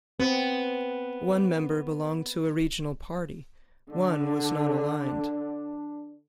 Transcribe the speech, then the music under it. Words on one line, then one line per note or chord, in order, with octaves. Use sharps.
One member belonged to a regional party; one was non-aligned.
B3 C4
D3 D4